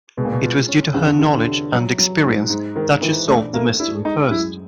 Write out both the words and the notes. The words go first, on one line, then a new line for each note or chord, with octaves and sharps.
It was due to her knowledge and experience that she solved the mystery first.
B2 G#3
A#2
B2
F4
C#4
E2 C#3
D3
C#3
E2
D3
C3
F#3
F#3
G#2
G#2
G#2 D#3
D#3 E3
A3 D4
A3 A#3
D4 E4
G#3 D#4
F#2 E4